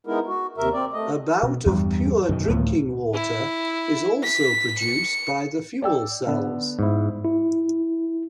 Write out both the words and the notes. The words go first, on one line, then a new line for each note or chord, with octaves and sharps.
About of pure drinking water is also produced by the fuel cells.
G#3 B3 D#4 E4 A#4
F#4
D#2 C3 A#4 E5
C4 D5
A3 D#5
B2
E2 G2 G3
F#2 B2 D#3
D2 A2 D#3 F3
E4
B6
C#7
D5 G5 E6
D3 B3 D4
G#2 E4
E4